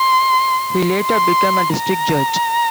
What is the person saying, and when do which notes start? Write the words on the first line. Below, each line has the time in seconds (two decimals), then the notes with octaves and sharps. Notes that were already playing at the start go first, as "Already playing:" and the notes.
He later became a district judge.
Already playing: C6
1.03 C6
1.75 A#5